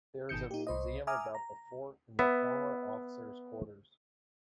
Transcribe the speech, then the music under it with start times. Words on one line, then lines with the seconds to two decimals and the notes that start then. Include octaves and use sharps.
There is a museum about the fort in the former officers' quarters.
0.29 G#1 B2 D#3 G6 C#7
0.51 D#4 G4
0.67 C2 C5 D#5
1.07 E5 G#5 A#5 D6 D#6 F6
1.35 A#5
2.19 B3 E5